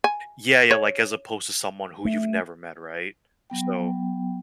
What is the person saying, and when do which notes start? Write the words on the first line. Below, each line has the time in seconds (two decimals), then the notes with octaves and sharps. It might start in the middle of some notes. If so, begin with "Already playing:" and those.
yeah yeah, like, as opposed to someone who you've never met, right, so
0.04 G#5
0.71 C#5
2.05 A3
3.50 F#3 B3 G5